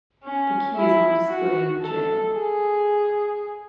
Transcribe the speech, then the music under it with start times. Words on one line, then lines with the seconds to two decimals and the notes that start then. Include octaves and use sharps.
The key is on display in the jail.
0.23 C#4
0.76 E4
1.29 F#4
1.82 A4
2.35 G#4